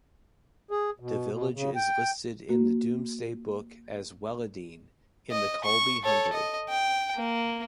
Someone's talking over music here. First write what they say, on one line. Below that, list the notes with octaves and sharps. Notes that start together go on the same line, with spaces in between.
The village is listed in the Doomsday Book as 'Weledene', in the Colby Hundred.
G#4
B2
B2
C#3
G5
A#3 F#4
D#5
C#6
A4 C#5
D#5
G5
A#3